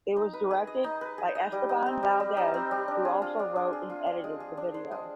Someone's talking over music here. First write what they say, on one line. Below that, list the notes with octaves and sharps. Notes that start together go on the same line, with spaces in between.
It was directed by Esteban Valdez who also wrote and edited the video.
D#4
B4
G#4
D#5
D#4
B4
G#4
D#5
G3
D#4
C4
G3
G3
D#4
C4
G3
D4
G#4
F4
D4
D4
G#4
F4
D4
G#3
G#4
D4
C5
G#3